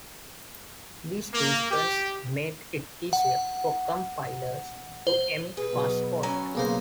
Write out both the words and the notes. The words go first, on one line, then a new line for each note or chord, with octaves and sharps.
These principles made it easier for compilers to emit fast code.
A#3
G4
F#5
C5
G#4 B4
B2 F#3 G#4
F#3 C#4 G#5 A#5 B5
B1 C#3 A#3 C5